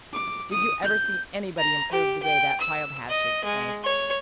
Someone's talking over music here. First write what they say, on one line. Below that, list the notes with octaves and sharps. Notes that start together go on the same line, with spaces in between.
"Did you ever see anybody improve the way that child has!" she exclaimed.
D6
D#6
G6
A#5
G4
G5
E6
D#5
G#3
C#5